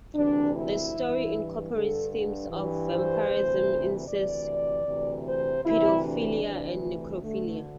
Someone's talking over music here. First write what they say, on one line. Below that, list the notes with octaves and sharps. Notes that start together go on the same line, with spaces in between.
The story incorporates themes of vampirism, incest, pedophilia, and necrophilia.
D2 C3 E3 D4
E4
G2 E3
G2 D3 A4
G2 E3
C5
D2 C3 E3
D2 C3 E3 D5
D2 C3 E3
C5
D2 C3 E3 E4
D4
D2 C3 E3
A3
D2 D3 A3